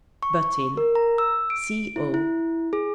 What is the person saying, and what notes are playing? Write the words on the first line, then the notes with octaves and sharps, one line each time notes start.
Butt in. C.o.
C#6
A#4
A#5
E6
D7
E4
E4
G#4